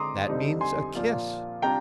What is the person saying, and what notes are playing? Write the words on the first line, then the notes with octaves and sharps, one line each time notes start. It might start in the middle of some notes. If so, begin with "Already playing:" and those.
"That means a kiss!"
Already playing: D3 G#3 C4 A#5 C6 D6 D#6
F2 D3 G3 C4 D#4
G#5 C6
A#2 F3 A#3 F4
C3 G3 D4 F4 G5 A#5